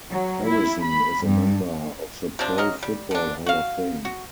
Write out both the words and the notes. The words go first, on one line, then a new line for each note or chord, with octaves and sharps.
Harrison is a member of the Pro Football Hall of Fame.
F#3
E4
B5
G2
C3 F3 C4 D4
F#3 A#4 D#5
G3
D3 D4
F#4 F5
F#4